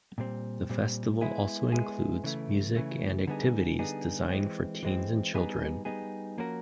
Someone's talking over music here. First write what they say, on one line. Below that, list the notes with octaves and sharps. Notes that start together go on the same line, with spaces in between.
The Festival also includes music and activities designed for teens and children.
A#2 G3 C4
A#2 G3 C4
G#3 B3 E4 G#4
G#3 B3 E4 G#4
C#3 E3 A3
C#3 E3 A3
D3 G3 B3 D#4 G#4
D3 G3 B3 D#4 G#4
E3 G#3 C4
E3 G#3 C4
G3 B3 D#4 G#4
G3 B3 D#4 G#4
F3 A#3 C#4 F#4 A#4